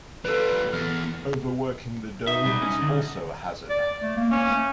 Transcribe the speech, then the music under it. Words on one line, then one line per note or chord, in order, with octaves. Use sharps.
Overworking the dough is also a hazard.
G3 F4 A4 B4
E2 F6
D#4 E5
B2 G3
C#4
D3
D5
A3
A#3
C#4
A3